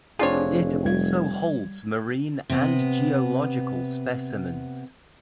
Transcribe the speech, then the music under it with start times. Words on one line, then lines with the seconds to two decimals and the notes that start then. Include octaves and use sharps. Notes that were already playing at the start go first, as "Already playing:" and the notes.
It also holds marine and geological specimens.
0.19 F1 C4 D4 F4 G#4 C#5
0.86 G3 G#6
2.50 C3 B3